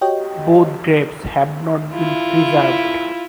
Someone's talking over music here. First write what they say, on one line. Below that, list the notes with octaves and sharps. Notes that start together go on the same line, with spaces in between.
Both graves have not been preserved.
F#4 G4 C#5 D#5 G5
E4 F4